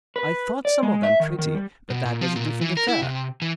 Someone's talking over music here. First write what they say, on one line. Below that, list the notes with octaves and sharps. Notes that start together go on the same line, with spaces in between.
I thought some of them pretty--but that was a different affair.
B4
D5
G#3
E5
D#3
D#3
G3
B2
A#2
F3
A#2
E3
A#4
E4
C3
E3